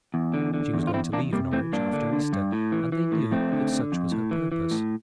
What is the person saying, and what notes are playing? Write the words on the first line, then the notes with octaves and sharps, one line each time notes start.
She was going to leave Norwich after Easter, and they knew that such was her purpose.
E2
D3
D3
E2
F4
E2 C4 E4
E2 A#3 D4
C3 G3 A#3
E3 A3 C4
G2 A#3 D4
D3
D3
G2
A2
E3
E3
A2
F2 A3 C4
D3
D3
F2
A2
E3
E3
A2